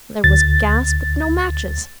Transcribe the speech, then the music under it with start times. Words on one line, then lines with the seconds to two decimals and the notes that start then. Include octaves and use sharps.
There was gas, but no matches.
0.24 D2 A6